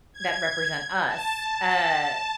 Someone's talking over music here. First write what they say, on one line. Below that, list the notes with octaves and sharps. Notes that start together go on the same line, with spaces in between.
that represent us. Uh,
G#6
A5